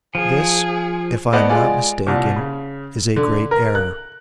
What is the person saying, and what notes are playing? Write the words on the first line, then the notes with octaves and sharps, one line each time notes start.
This, if I am not mistaken, is a great error.
F3 G#4
A3 B3 C5 D5 D#5 F#5
G#3 F4 D5 F#5 G#5
C2 A#2
C#3
D3
A#4
F#6